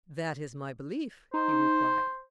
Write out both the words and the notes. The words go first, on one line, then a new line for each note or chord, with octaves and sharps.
That is my belief, he replied.
D#4 C5